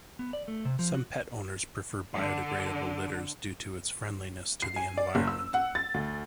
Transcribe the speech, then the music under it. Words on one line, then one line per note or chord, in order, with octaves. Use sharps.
Some pet owners prefer biodegradable litters due to its friendliness to the environment.
B3
D5
A3
C3
F3
F#4
D3
C7
G#5
D5
F#1
E6
F#5
A6
D2